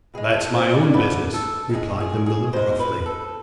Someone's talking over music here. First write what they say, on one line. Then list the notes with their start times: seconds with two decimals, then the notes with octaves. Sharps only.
"That's my own business," replied the miller gruffly.
0.14 B2 G#3 G#4
0.34 A4
0.54 C5
0.74 D5
0.94 G#2 F3 A3 B4
1.34 A4
1.69 A4
1.73 A2 G#3 G#4
2.00 G#4
2.26 G#4
2.53 B2 G#3 C5
2.79 B4
3.06 A4